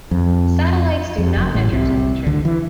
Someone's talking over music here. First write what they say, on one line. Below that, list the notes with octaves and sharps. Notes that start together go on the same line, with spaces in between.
Satellites do not measure temperature.
F2
F2
F#1 F#2
A1 A2
C2 C3
D2 D3
E3